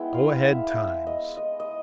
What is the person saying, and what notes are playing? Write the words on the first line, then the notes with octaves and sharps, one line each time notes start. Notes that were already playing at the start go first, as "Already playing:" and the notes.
Go-ahead Times!
Already playing: G#3 B3 E4 G5
F5
E5
D#5
D#5
D#5